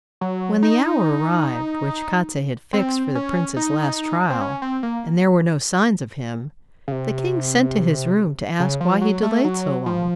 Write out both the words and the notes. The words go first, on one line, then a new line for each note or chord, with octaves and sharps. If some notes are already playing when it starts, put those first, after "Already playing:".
When the hour arrived which Kostiei had fixed for the prince's last trial, and there were no signs of him, the king sent to his room to ask why he delayed so long.
F#3
D#4
C4
C#4
D#4
C4
C#4
C4
A#3
C#3
C3
C#3
F3
F#3
A3
F#3
F3